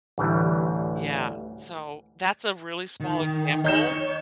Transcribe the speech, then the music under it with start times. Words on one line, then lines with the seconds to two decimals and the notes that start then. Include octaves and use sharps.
Yeah. So that's a really small example.
0.18 A1 D2 E3 G3
3.00 D#3
3.65 D#4 C#5 G6 E7